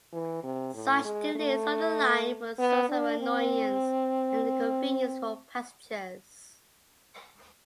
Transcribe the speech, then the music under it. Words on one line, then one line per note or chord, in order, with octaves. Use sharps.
Such delays on the line were a source of annoyance and inconvenience for passengers.
E3
C3
A2
G#3
A3
B3
D4
C4